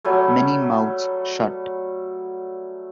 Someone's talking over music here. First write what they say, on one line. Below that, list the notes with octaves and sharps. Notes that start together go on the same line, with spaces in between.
Many Mouths Shut!
F#3 G3 A3